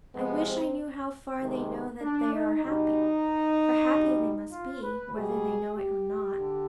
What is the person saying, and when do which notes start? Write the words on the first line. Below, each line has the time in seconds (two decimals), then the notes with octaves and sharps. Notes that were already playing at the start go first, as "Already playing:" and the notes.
I wish I knew how far they know that they are happy--for happy they must be, whether they know it or not.
0.14 C3 F3 G#3 B3
0.46 C4
1.38 C3 D#3 G#3
2.01 D4
2.32 D#4
2.63 B2 G3 D#4
3.88 B2 G3
4.51 F4
4.81 B4
5.12 B2 G3 G#4
5.75 G4
6.36 D3